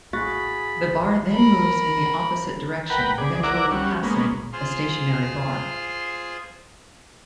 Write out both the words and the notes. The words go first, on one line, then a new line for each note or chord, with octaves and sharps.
The bar then moves in the opposite direction, eventually passing a stationary bar.
A2 F#4 G#4 F5 B5 A6
A#4 B5
A#4 B4 F#5 G5 B5
G#4 D5
E4 A#4 D5 F#5 D6
G3 C#4 F#4
G#3 A#3 B3 C#4
F4 G#4 C5 C6 F6